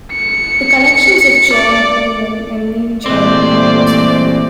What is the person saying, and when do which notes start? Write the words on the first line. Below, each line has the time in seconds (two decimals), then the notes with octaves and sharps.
The collections of John Boorman and Neil Jordan are also held.
0.13 C#7
1.54 D5
3.06 A#2 E3 A3 C4 G4 C5 D5